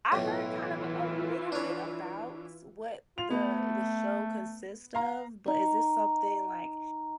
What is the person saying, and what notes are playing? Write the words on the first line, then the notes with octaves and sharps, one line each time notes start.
I heard kind of a little bit about what the the show consists of, but is this something like,
B1 A2 E3 E4 F4
D4 C#5
F4 F7
A3 B3
F5 A#5
D#4 C#6